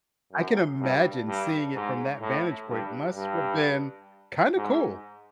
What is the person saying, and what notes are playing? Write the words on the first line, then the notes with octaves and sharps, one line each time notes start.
I can imagine seeing it from that vantage point must've been kinda cool.
F#2
G2
G2
G#2
A2
G2
G2
G#2